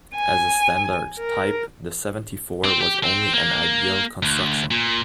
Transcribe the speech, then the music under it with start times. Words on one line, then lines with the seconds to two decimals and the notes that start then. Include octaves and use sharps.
As a standard type, the seventy-four was only an ideal construction.
0.15 G#5
1.18 A#4
2.65 C4
2.81 G4
3.03 C4
3.34 A#3
4.23 D2
4.71 A#2